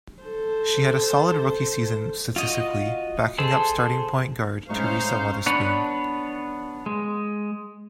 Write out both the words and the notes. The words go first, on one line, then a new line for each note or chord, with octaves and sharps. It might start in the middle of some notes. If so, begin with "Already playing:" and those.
She had a solid rookie season statistically, backing up starting point guard Teresa Weatherspoon.
A4 C5
F4 F#4 D#5
G#4 A4 C5 A5
A2 G#3 C#4 D#4 E4 C5 F5 C#6
B3 D4 B4 C#5
G#3